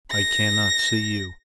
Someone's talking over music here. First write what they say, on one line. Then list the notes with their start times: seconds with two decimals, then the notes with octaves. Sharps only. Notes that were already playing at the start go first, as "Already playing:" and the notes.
I cannot see you.
0.11 A#6